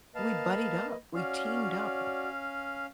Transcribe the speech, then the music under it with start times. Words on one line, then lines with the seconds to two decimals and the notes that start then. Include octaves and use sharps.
we buddied up, we teamed up.
0.15 A#3 B4 D#5 F5 A5
1.14 C#4 F#4 C#5 D5 F5